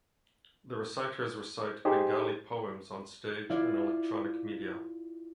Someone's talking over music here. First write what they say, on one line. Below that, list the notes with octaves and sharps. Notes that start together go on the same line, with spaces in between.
The reciters recite Bengali poems on stage and electronic media.
D#4 G4 G#4 C5
E4 F4 D5